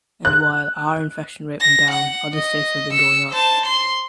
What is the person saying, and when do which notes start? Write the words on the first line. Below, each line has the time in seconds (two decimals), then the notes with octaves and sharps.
And while our infection rate went down, other states have been going up.
0.25 F#6
1.60 A#6
1.91 F#5
2.34 D#5
2.91 E6 C#7
3.32 C5 A5
3.66 C6